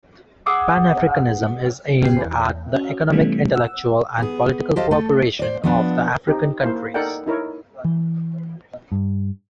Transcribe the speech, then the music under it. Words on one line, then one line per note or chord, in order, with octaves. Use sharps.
Pan-Africanism is aimed at the economic, intellectual and political cooperation of the African countries.
G#4 F#5 D6 E6
C#3 B3 G4 G5 C7
E2
C#4 F#4
C3 E3 G3 A3 B3 C#4
F#5 E6
B3 G#4
F#3 G4 A4 C5 D#5 F5
A3 A4
C5 D5
F3 B3 D4
C4 D#4 G4
A#3 E4 C5 F5
D#4 A4 A#4 D5 F#5 G5
D#4 E4 A#4 C#5
E3
G2